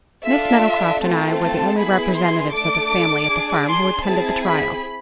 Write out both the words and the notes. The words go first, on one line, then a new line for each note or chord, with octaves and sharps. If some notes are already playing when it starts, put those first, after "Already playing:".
MISS MEADOWCROFT and I were the only representatives of the family at the farm who attended the trial.
D4 F4 A4 E5
A3 C4 F4 A4
A5
B3 E4 G#4 B5
C6
A3 D4 A4 D6
D4 G#4
C6
C4 E4 G#4 A5
B5